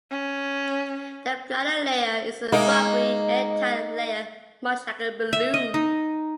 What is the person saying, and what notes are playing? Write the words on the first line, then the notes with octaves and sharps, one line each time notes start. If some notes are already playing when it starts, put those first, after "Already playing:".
The bladder layer is a rubbery, airtight layer much like a balloon.
C#4
G#3 A#3 D#4
E5
D#5
D#4